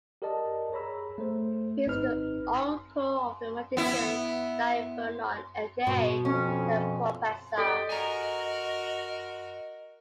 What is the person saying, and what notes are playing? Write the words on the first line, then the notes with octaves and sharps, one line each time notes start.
He is the uncle of the magician Dai Vernon aka 'The Professor'.
G4 A#4 D5 D#5 A5
G#4 C#5 A#5 B5 E6
A3 C5
G#1 C4 D#4 B4 F6
B3 E4
B2
F2 C#4
G4 A4 D5 D#5 G5
F#4 A#4 G#5 A#5